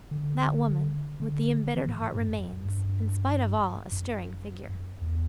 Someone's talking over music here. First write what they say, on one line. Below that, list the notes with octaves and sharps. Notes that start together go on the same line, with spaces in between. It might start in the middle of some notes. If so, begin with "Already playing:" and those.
That woman with the embittered heart remains, in spite of all, a stirring figure.
D3
D3
E3
A2
A2
G2
F#2
G2
F#2
E2